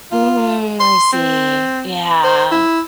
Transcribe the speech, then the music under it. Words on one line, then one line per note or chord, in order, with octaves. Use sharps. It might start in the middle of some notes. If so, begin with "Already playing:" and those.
Mhm, I see, yeah.
F4
C6
C4
C5
E4